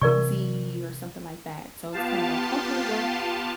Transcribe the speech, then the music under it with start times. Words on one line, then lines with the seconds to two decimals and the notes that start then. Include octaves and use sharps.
X Z or something like that, so it's kinda like, "Okay, well,
0.01 C3 E3 A#4 D5 C#6
1.92 B3 F4 G4 F5 A5